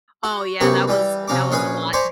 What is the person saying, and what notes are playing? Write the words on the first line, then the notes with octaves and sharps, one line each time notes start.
Oh yeah, that was that was a lot.
F#4
F#2 C3 B3 G4 C#6
E3 G3 G4
C3 F3 C#4 A#5 D6
A#1 C#4 G#4 B4 G#5
C5 D5 G#5 A#5 B5 C#6